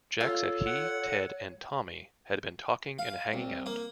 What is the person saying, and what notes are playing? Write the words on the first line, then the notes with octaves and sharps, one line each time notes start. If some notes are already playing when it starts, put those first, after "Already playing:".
Jack said he, Ted, and Tommy had been talking and hanging out.
F4 A4 C#5
F#5
F5
C2
A#3